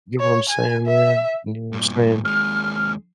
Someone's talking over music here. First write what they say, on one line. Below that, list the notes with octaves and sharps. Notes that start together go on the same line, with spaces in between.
You know what I'm saying, man? You know what I'm saying?
C#5
G#5
E5
G2 A#2
D#2 G#3 F6